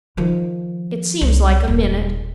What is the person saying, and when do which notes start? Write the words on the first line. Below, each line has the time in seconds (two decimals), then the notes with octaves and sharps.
It seems like a minute.
0.17 D#3 F3
1.21 C2
1.68 D#1